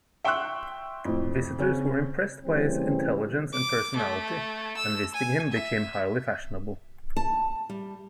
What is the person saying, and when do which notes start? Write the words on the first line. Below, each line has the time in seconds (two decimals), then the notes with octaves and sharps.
Visitors were impressed by his intelligence and personality, and visiting him became highly fashionable.
0.24 E5 G5 C6 C#6 E6 F#6
1.05 F2 A2
1.59 C#3 C4 C#4
2.45 C#3 E3 G3 A3 C4 C#4
3.53 D6
3.96 A3
4.76 E6
5.14 G#5
5.52 E5
7.17 A5
7.70 G3